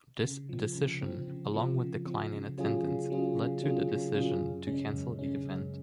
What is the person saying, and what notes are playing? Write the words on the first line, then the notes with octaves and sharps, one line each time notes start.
This decision, along with declining attendance, led to the decision to cancel the event.
C#3
F3 C4
C#3
F3 C4
C#3
F3 C4
C#3
F3 C4
C#3
F#3 C#4 F4 G#4
C#3
F#3 C#4 F4 G#4
C#3
F#3 C#4 F4 G#4
C#3
F#3 C#4 F4 G#4
F#2
C#3 G#3 C#4
F#2
C#3 G#3 C#4
F#2